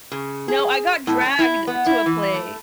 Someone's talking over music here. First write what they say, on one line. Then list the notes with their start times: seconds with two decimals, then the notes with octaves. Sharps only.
No, I got dragged to a play.
0.12 C#3
0.48 G#4
1.07 A2
1.26 C#4
1.39 E4
1.67 B3
1.86 E4
2.06 E3
2.34 A3